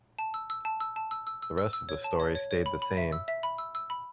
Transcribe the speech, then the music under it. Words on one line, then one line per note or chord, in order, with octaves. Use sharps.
The rest of the story stayed the same.
A5
E6
E6
A5
E6
A5
E6
E6
E6
E6
E6
C#5
A5
C#5
C#5
C#5
B5
B5
E5
E6
E5
B5
E6
E6
B5